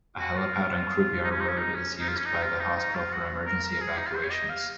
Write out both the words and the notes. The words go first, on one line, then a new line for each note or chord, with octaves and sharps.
A helipad on Croobyar Road is used by the hospital for emergency evacuations.
F#4
F4
D#4
C#4
D#4
C#4
D#4
C#4
D#4
F4
C#4
D#4
F4
D#4
D#4
F4
F#4
A#4
A#4
G#4
D#4
F4
C5
C#5
D#5
F5